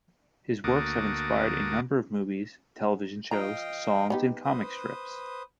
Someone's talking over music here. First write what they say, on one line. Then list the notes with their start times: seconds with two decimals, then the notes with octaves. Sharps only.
His works have inspired a number of movies, television shows, songs and comic strips.
0.64 D2 A#3 F#4 A5 D6 D#6
3.31 F3 D#5 F5 G5 A#5
4.10 B3 D#4 G4
4.44 B4 C5 D#6